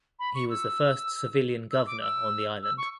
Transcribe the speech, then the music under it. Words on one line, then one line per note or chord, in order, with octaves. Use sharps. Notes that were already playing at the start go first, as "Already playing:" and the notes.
He was the first civilian governor on the island.
B5
C#6
E6
E6
D6
E6
E6
C#6